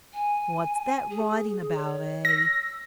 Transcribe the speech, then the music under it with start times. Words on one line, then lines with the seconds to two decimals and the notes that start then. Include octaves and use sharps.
'What's that writing about, eh?'
0.13 G#5
1.10 G#4
1.75 C#5
2.25 E6 A#6